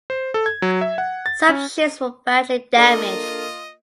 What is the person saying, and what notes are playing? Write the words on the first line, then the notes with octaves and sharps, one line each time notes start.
Some ships were badly damaged.
C5
A4
G#6
F#3
E5
F#5
A6
C#4
A#3 D4 F4 A4 A#4 D5 D#5